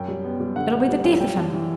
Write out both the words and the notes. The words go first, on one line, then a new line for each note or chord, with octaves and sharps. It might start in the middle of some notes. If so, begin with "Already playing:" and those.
It'll be the death of him.
Already playing: F#2 G5
G3
B3
G3
D3 F#5
B3
F#5
G3
F#2
G3 G5
G3 A5
E3